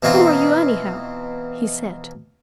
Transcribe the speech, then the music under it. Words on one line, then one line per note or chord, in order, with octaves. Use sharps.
"Who are you, anyhow?" he said.
B2 E3 C4 D#4 F4